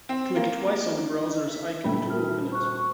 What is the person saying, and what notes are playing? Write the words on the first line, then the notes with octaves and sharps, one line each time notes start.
Click twice on the browser's icon to open it.
C4
A#3
E5
D#1 A3 G5 B5
F#4 A#4 F6
C5 C#6 F#6